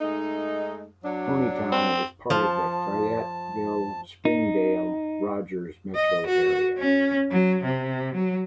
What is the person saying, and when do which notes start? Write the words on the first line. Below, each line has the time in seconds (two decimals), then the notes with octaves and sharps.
Tonitown is part of the Fayetteville, Springdale, Rogers metro area.
0.01 G#3 A3 D#4
1.04 F#3 D4
1.72 C4
2.30 F3 A5
4.25 D#4
5.95 D#5
6.27 F#4
6.78 C#4
7.31 F#3
7.64 C3
8.15 F#3